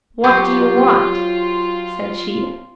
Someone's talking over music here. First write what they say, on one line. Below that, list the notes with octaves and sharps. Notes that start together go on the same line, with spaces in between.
'What do you want?' said she.
F#3 F4 G4 C5